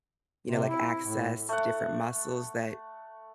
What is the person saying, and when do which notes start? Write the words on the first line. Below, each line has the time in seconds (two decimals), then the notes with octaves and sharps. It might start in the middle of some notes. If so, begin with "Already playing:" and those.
you know, like, access different muscles that
0.47 C3
0.68 E4
1.02 A2
1.49 A3 F#5